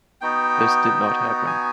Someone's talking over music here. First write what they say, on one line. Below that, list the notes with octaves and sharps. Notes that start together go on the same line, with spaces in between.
This did not happen.
B3 D#4 F#4 G5
G#5